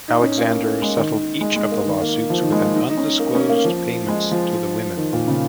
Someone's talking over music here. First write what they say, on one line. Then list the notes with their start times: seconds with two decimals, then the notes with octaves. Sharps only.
Alexander settled each of the lawsuits with an undisclosed payments to the women.
0.08 D#4
0.22 C#4
0.38 A#3
0.82 G#3
0.97 D#3
1.11 D#3
1.41 G#3
1.56 G#3
1.71 A#3
1.86 D#3
2.01 A#3
2.30 F3
2.42 D#3
2.52 G#3
2.64 A#3
2.75 D#4
2.90 D#4
2.97 C#4
3.19 A#3
3.35 C#4
3.49 A#3
3.65 F3
4.08 G#3
4.31 F3
4.97 D#3
5.13 A#2
5.28 C#3